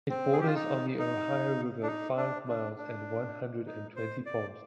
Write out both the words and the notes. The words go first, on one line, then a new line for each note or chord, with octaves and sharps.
It borders on the Ohio River five miles and one hundred and twenty poles.
C4
G#4
G4
F4
D#4
D#4
D4
D#4
D4
D4
D4
D#4
C5
D5